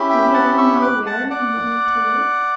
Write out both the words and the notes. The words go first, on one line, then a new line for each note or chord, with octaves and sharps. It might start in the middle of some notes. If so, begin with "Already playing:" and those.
Did he at all know where he wanted to live?
Already playing: C#4 E4 G4
E5 G5
F#5 A5
C#6 E6
D6 F#6
F#5 A5
D5 F#5